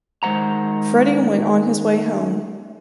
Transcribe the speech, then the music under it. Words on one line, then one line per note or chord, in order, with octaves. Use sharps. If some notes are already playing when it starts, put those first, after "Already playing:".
Freddie went on his way home.
D#3 G#3 C5 F#5 A#5